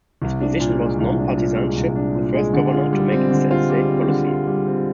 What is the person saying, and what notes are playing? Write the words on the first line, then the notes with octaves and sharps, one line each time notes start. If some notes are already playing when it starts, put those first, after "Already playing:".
His position was non-partisanship, the first governor to make it a state policy.
C2
D4
A#2
G#3
C2
D4
A#2
G#3
C2
D4
A#2
G#3
D3
F4
G3
C4
D3
F4
G3
C4
D3
F4
G3
C4